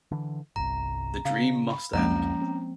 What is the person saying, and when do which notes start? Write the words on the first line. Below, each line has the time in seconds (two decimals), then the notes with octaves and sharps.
The dream must end.
0.11 D3 E3
0.56 G1 C2 A#5
1.25 C#3 F5
1.70 B5
1.93 C2 F2 C3 F3 G#3 A#3 C#4 A#5
2.42 C4